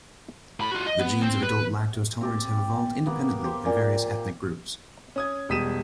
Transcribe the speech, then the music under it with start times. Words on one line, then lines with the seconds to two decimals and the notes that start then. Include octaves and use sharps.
The genes of adult lactose tolerance have evolved independently in various ethnic groups.
0.60 A2 B5
0.72 F4 F#4
0.87 D#5
0.99 B3
1.22 C4
1.43 B4
2.21 C4 G4 A5
3.06 A#3 B3
3.44 G4 C5
3.66 A#2
5.16 C#4 D#6 G#6
5.49 E1 G3 D#6 B6 D#7 E7